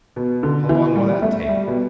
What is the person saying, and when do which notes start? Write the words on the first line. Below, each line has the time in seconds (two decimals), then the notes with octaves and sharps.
"How long will that take?"
0.16 B2
0.43 D3
0.69 E3
0.96 G3
1.22 A3
1.49 G3
1.68 B2